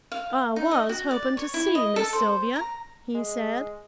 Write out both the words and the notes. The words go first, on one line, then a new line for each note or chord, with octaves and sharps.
"I was hoping to see Miss Sylvia," he said.
F5
D#4
D#5
F#4
D5
C#5
E4
D#5
A4
C5
A#5
G#3